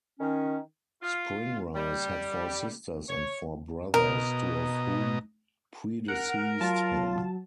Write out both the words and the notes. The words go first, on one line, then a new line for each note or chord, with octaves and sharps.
Spring Rice had four sisters and four brothers, two of whom predeceased him.
D#3 C#4
F4
G3
C#5
B2 A#4 D#5 A#5
A#4 F#5
F#3 F4 A5